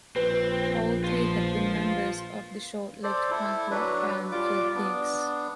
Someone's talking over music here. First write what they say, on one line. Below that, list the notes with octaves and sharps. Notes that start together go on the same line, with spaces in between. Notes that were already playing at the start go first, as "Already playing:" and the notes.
All three had been members of the short-lived punk rock band Kill Pigs.
A#1 C4 B4
F4 C5
A4 C5 D5
E4 A4
F#3 D4 B4
G3 F4 D6
B3 D4